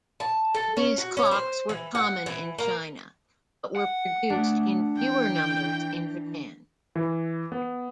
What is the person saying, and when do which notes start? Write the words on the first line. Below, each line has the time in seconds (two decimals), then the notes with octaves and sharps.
These clocks were common in China, but were produced in fewer numbers in Japan.
0.20 A5
0.54 A4
0.77 C#4
0.98 F#4
1.17 C#4
1.31 C5
1.69 E3
1.95 F#5
2.26 E3
2.58 A#3
3.76 F#5
4.30 A3 D4
4.98 E3 G5
6.96 E3
7.52 B3